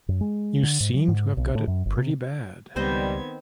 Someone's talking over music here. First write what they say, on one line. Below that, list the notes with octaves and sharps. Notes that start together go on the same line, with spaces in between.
You seem to have got it pretty bad.
F#2
G#3
D3
G#2
F#3
G#2
B1
A2
F#2
G1
C3
C#2 D#3 G3 B3 C4 C5 D#5 G#6